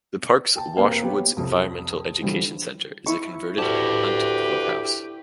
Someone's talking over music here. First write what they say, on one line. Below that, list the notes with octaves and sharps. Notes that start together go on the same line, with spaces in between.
The park's Wash Woods Environmental Education Center is a converted hunt clubhouse.
G5 A5
F1 C3 A#3 B4 F5 G5
B3 G4 C#5
C2 F2
D3 E3 F3 G3
E4 C#6
D2 G4 B4 A5